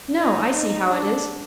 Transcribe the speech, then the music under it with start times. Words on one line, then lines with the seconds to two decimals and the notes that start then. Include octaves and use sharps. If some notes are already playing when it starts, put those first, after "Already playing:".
No; I see how it is.
0.18 D#4
0.53 D#4
0.89 D4